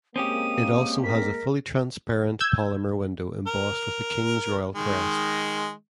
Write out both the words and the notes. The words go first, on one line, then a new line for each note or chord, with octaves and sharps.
It also has a fully transparent polymer window embossed with the King's royal crest.
G#3 A#3 C4 C#4 G4 D#6 D#7
A#4 B6
E6 G6 G#6
A#4
D#3 G#3